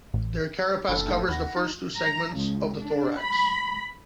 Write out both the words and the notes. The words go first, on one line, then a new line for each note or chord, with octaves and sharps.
Their carapace covers the first two segments of the thorax.
A1
F#1 A#2 D3 A4 B5
A#1 A2 A5
D#2 F#5 B5 A#6
D#4 A6
A#5
C#2
D4
B5